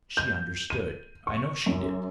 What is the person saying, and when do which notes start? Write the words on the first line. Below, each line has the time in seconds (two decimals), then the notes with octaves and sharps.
She understood, I know she did.
0.17 G6
0.70 D#7
1.27 C#6
1.66 F#2